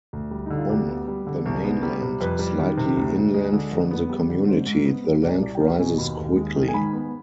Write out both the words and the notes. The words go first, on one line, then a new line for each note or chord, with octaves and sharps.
On the mainland, slightly inland from the community, the land rises quickly.
D2
G3
D3 D#4
F4
D2 G4
B3
G3
D3
C2
B3
G3
C3
F2 B4
G3
D#3
C3
D2
D2
G#3
D3
F2
B3
G3
D3
G#2 C5
G#2
B3
G3
C2 D5
C2 D5
G5
B3 F5
B2 G#5
D#2 B5
D#2
G#3
D#3
G#5
G#2 B5
B3